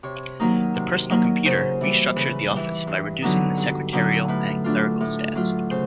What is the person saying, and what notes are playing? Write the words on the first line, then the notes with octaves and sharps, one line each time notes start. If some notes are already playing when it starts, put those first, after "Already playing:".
The personal computer restructured the office by reducing the secretarial and clerical staffs.
C3 C#5
D#3 F#3 A#3 D#4
C3
D#3 F#3 A#3 D#4
C#3 C5
E3 G3
C#3 B4
G3
E3
G2
D3 F#3 B3 D#4
G2
D3 F#3 B3 D#4
A2 B4
F#3 A3 D4 F4
A2
F#3 A3 D4 F4
C#3 C5